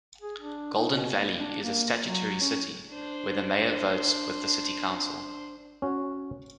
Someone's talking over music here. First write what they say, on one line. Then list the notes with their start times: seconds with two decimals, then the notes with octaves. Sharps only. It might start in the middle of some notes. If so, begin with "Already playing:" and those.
Golden Valley is a statutory city, where the Mayor votes with the City Council.
0.22 G#4
0.40 D4
0.74 D#4
0.91 B2
1.15 A#3
1.37 D4
1.64 A#3
2.03 F#3
2.41 C#4
2.91 D4 C5
5.82 C#4 F#4